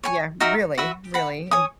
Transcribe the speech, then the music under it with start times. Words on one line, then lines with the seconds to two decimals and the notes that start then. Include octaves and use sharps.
Yeah, really really, and
0.04 C#5 G#5 C#6
0.40 D#4 F#4 A#4 E5
0.78 F#4 B4 E5
1.14 B4 F#5 B5
1.51 C#5 G#5 D#6